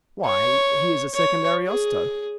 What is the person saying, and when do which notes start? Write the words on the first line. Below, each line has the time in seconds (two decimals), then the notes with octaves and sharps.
"Why, he is a second Ariosto."
0.25 C#5
1.14 C#5
1.67 G#4